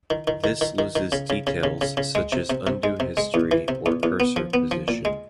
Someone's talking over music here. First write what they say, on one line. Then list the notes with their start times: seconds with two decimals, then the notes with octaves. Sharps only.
This loses details such as undo history or cursor position.
0.10 D#3
0.27 D#3
0.44 D#3
0.61 D#3
0.79 D#3
0.96 D#3
1.12 C#3
1.30 C#3
1.47 C#3
1.63 C#3
1.81 C#3
1.97 C#3
2.15 G#3
2.32 C3
2.50 C3
2.67 C3
2.84 G#3
3.00 C3
3.17 G#3
3.34 E2
3.51 E3
3.68 C3
3.86 E2
4.03 E2
4.20 B3
4.36 F3
4.54 B3
4.71 F3
4.88 A#2
5.05 G#3